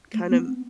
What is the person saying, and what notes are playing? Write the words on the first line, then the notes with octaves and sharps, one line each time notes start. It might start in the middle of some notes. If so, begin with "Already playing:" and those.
kinda m
A3
B3
C4